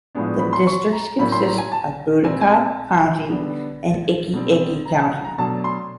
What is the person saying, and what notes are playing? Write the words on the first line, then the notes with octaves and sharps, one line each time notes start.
The district consists of Budaka County and Iki-Iki County.
A2 F3 G#3 B3 D4
B5
C6
C#6
A#5
A2 F#3 A#3 C#4 B5
C6
A#5
G#5
A5
A#2 G3 C4 G#5
G#5
A5
D3 G3 B3 D4
B2 G3 C4
A#5
A5
F#5
A#5
B2 F#3 A3 D4 A5
C6